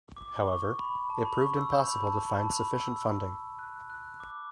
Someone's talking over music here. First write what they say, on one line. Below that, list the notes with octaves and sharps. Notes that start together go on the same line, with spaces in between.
However, it proved impossible to find sufficient funding.
D6
C#6
B5
A5
B5
C#6
E6
G6
B5
A5
B5
A5
B5
E6
F#6
F#6
D6